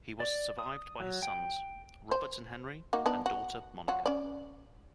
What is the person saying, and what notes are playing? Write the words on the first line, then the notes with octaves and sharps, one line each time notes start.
He was survived by his sons, Robert and Henry, and daughter, Monica.
D5
D#6
F#3
G5
C5
A#3 D#4 F#4
B3 D4 D#4
F#4
F#3 F4 F#4
C#4 D5